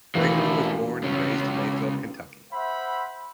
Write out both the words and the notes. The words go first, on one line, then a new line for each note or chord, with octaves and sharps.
Gregory was born and raised in Mayfield, Kentucky.
E1 E3 A3 A#4 D6
C#2 C#4
C5 E5 F#5 B5